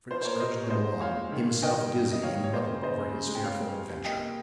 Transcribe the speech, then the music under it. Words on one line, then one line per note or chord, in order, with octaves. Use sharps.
Fritz urged them along, himself dizzy and muddled over his fearful adventure.
F3 C5
C5
A#3 A#4 C#5
C3 C5 D#5
C3
C#5
G#3 C5 D#5
A#2
A#2 C#5 F5
G#3
D#3
A#3
D#3 D#5 G5
G3
G3
A#3 D#5
D#3 C#5 F5
G3
C#5
A#3 C5 D#5
C#3
C#3 C5 D#5
C#3
G#3
G#3
G5
G#3 C#5 F5
G#3
C3
C3
A#3 D#5 G5
A#3